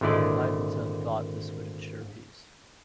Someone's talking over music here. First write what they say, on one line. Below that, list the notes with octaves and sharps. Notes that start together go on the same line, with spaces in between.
Lyttleton thought this would ensure peace.
G#1 A#2 D3 E4 D5 D#5